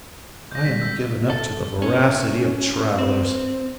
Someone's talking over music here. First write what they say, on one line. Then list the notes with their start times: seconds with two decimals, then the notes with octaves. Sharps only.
I am given up to the voracity of travellers.
0.51 G6 A#6
0.65 G#1 G3 B6
0.78 E6 G6 B6
1.30 A4
1.82 C#4
2.98 C4